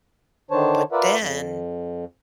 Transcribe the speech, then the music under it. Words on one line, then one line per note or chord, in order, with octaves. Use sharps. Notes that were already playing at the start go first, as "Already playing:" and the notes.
but then
D3 D#3 D4 C5 C#5 A5
F4 A#4 B4 D5 E5 F#5
F2